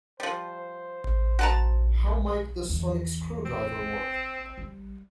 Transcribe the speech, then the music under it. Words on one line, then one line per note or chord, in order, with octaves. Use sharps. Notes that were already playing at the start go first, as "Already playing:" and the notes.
How might the sonic screwdriver work?
F3 G3 C5
F#4 A5 A#5
E2 E3
C4
G3